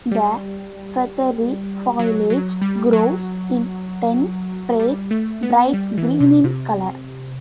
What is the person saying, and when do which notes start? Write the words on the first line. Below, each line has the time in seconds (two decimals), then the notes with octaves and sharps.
The feathery foliage grows in dense sprays, bright green in color.
0.11 G3
1.99 F#3
2.30 F#3
2.62 G3
2.93 F#3
4.80 G3
5.11 A3
5.43 B3
5.73 G3
5.98 E3
6.20 C3
6.44 C3